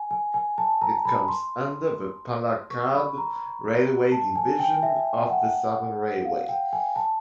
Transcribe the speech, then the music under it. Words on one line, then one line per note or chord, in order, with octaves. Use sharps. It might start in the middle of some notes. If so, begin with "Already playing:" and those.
It comes under the Palakkad Railway Division of the Southern Railway.
Already playing: G#5
G#5
G#5
A5
A#5
B5
C6
C#6
B5
A#5
A5
G#5
G5
E5
F#5
F5
G5
G#5
A5